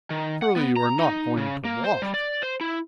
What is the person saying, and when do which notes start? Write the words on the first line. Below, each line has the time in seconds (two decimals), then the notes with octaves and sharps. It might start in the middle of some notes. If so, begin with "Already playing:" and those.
"Surely you are not going to walk?"
0.10 D#3
0.42 F#5
0.56 B3
0.77 A#5
0.99 D#4
1.37 C#3
1.65 A#3
1.84 C5
2.02 G3
2.14 D5
2.43 C5
2.61 E4